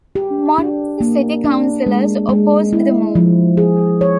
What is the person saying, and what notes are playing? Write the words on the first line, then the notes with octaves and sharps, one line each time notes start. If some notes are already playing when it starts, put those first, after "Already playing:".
Moncton City Councillors opposed the move.
G4
D4
A#3
D4
G#3
G#3
E4
F3
G#4
C#5